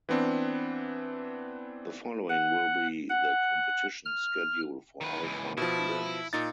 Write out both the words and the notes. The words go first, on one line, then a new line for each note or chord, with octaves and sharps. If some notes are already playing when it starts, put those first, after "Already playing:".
The following will be the competition schedule for all five events.
E3 B3 C4 D4
F#5
F#5
F6
D#3 B4
C#2 E3
B2 F3 E4
A#2 D#4 A6